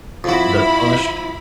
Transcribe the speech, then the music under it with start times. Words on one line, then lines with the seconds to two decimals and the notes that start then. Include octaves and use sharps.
The push
0.24 F2 E4 F#4 B5